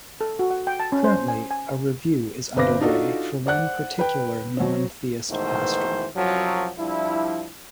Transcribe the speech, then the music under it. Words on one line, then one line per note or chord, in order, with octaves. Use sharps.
Currently, a review is underway for one particular non-theist pastor.
A4
F#4
F#5
G5
A5
C#4
C5
G#5
G#5
G1 C4 B4 F5 D6 A#6
D4 D#4 F4 F#4 A4
C5 D5 F#5 F#6
B4 G5
F#3 C4
G#2 B2 D#3 E3 A3 C5
C2 F#2 F3 F#3
F3 G3 D4 E4